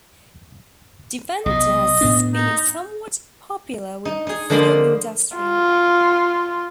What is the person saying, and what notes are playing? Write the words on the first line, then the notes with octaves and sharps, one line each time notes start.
Deventer has been somewhat popular with the film industry.
B1 C3 D#5
A2 B3 D4
D#4
D#4
D#4 G#4
D3 F3 G#3 A#3 B5 C6
F4